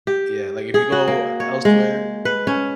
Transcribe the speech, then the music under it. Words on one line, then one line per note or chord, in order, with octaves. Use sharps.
Yeah, like, if you go elsewhere
G4
G#4
F#4
A#3
C#5
G#3
B4
C#4